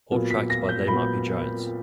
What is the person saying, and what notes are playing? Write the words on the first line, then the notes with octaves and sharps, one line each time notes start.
All tracks by They Might Be Giants.
A#2 F#3 B3
B6
A#6
G6
A#2 F#3 B3 B5